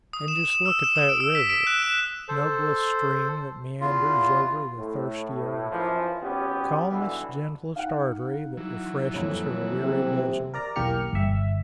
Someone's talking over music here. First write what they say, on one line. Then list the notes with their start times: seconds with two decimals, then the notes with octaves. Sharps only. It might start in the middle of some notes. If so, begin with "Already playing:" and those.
And just look at that river--noblest stream that meanders over the thirsty earth!--calmest, gentlest artery that refreshes her weary bosom!
0.13 D#6
0.28 E7
0.52 E7
0.66 E6
0.84 E7
0.96 D#6
1.09 D7
1.20 E6
1.35 B6
1.50 D7
1.67 F#6
1.82 E7
2.28 A4 C5
3.81 E2 F4
4.77 A2
5.71 F#2 E3 F3
6.22 G#1 B3 C#4 G4
6.90 B1 G2 B2 D3 E3 B3
7.76 D#4 F5 F#5
8.57 E3 F#3
9.13 D#1 F2 C#5
9.81 C3 G4
10.54 A#4 D5 A#5
10.76 B1 E2 A#3 G4 F6 C#7
11.13 G1 E5